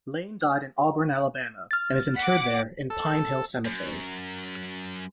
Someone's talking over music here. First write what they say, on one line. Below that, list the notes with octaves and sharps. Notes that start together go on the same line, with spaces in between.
Lane died in Auburn, Alabama, and is interred there in Pine Hill Cemetery.
F6 A6
F#5 D6 B6
A4
F#2